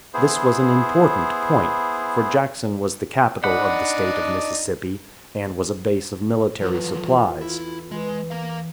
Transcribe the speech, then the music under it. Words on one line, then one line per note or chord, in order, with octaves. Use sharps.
This was an important point, for Jackson was the capital of the State of Mississippi, and was a base of military supplies.
B3 E4 G#4 C5
D4 D#4 F#5 B5
E2 F3 F#3 F4 A4
E4
E3 G#3
A#4 F5